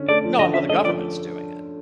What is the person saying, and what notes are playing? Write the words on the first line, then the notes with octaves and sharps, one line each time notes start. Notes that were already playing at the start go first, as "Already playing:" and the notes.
No, but the government's doing it.
Already playing: D3 C#4
A3 D5
F3
D3 D#5
C#4 E5
A3 D#5
F3 D5